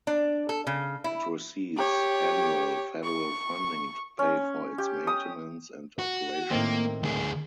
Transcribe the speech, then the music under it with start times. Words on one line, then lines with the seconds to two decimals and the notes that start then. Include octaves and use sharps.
It receives annual federal funding to pay for its maintenance and operation.
0.07 D4
0.49 A4
0.67 C#3
1.04 E4
1.77 G4 C#5
3.03 C#6
4.19 C#4
4.78 G4
5.07 D#6
5.99 F#4
6.51 A2 D#3 A#3 C4
7.03 D2 G#4